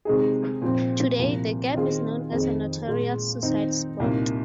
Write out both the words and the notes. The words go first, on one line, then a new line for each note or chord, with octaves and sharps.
Today, The Gap is known as a notorious suicide spot.
C3 G#3 D#4 G#4
A#2 F3 C4
C2 A#2 F3 A#3
D#3 C4 F4 G#4
F2 D#3 C4 G#4
A#2 G#3 F4
D#3 C4 D#4
C2 A#2 A#3 D#4